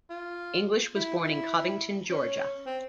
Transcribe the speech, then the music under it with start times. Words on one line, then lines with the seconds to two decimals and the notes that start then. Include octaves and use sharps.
English was born in Covington, Georgia.
0.10 F4
0.95 E4
1.24 E4
2.10 C#4
2.67 C4